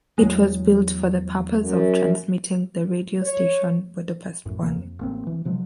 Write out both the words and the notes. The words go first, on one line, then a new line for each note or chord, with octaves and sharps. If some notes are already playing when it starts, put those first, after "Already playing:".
It was built for the purpose of transmitting the radio station Budapest One.
E2 F#3 G#3
F#2
C#5
A#1 F#2 A2
D#1 D2 C3 A#3
F2
A1 A#3 C4
E3
C3 F3 F#3 G#3